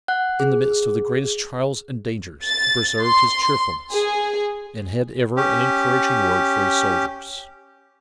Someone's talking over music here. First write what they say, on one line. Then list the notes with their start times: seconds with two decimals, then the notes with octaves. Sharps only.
In the midst of the greatest trials and dangers he preserved his cheerfulness, and had ever an encouraging word for his soldiers.
0.08 F#5 F#6
0.40 G#4
2.46 A6
3.01 C6
3.90 G#4
5.36 C#4 G4